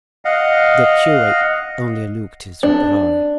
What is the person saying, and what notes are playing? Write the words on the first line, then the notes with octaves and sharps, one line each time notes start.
The curate only looked his reply.
D#5 F5 F#5
D4